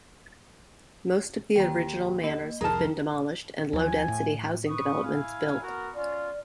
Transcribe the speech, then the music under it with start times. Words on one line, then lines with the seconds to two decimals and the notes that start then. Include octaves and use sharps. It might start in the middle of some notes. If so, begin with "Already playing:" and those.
Most of the original manors have been demolished and low density housing developments built.
1.56 D#2 G5 A#5
2.24 A#3 D#5
2.61 C2 F2 G#4 A#4 C5 A5 A#5 F6
3.73 D#2 F3 G#5
4.08 A2
4.67 B4 C#6 D#6
5.03 E4 F5 G#5
5.62 B3 F#4 A#4
5.95 C#4 F4 D5